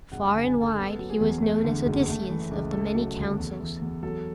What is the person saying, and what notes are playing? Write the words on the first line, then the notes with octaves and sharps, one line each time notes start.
Far and wide he was known as Odysseus of the many counsels.
F#1 F#5
G#5
D3
G#5
F#1
A4
B3 A4
F#3
G#4
E2
A3
D3
F#1
A3
E3
C#2
A3 A4
F#3
D2
E2
E3
E2
F#3 A4